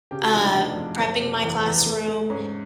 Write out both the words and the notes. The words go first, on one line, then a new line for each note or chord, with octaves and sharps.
uh, prepping my classroom,
C#3 G4
F#4
F1 F4
D4
D#4
F1 D4
F2
F#1
C3
E2
E2
A3
A3
G#2 C#4